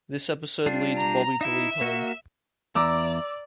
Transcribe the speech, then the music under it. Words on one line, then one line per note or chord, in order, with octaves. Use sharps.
This episode leads Bobby to leave home.
G3 D4 F4
A#5
D#4 E4 E5
A#3 F#4
E2 D5 A#5 D6 E6